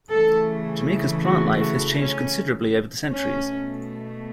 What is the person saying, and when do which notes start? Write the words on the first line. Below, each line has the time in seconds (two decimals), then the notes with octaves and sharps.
Jamaica's plant life has changed considerably over the centuries.
0.10 C#3 E3 A3 A4
1.23 F#4
1.60 F#4
1.97 C#4
3.09 B2 A3 C#4